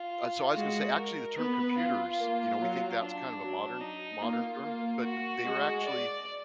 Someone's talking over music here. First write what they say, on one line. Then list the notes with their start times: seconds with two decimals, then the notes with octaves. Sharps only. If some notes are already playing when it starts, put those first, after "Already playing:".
Uh, so, I was gonna say, actually, the term "computers," you know, we think that's kind of a modern modern term, but th they were actually
Already playing: F4
0.56 G#3 F#4
0.98 A#4
1.37 B3 B4
1.78 F4
2.19 A#3
2.60 F#3
3.00 D4
3.41 F#3
3.81 D#4
4.22 A#3 F4
4.62 A#3
5.03 F#4
5.43 G#3
5.85 D5